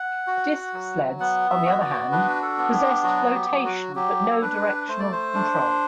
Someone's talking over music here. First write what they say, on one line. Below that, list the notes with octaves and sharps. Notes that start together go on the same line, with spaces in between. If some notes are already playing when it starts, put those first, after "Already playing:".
Disk sleds, on the other hand, possessed floatation but no directional control.
Already playing: F#5
F#4
F#3
B3 F#5
E5
F#4
D5
D4 B4
A4
B3
G4
F#3 F#4
G4
F#3
F#4
F#3 G4
A4
D4 B4
A3 C5
D5
C5
D4